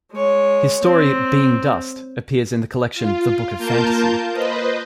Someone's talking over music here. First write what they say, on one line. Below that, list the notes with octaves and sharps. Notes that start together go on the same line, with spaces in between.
His story "Being Dust" appears in the collection The Book of Fantasy.
G#3 C#5
C4
F4
A#3 F4 A#4 A5 G6
B4 C5 D#5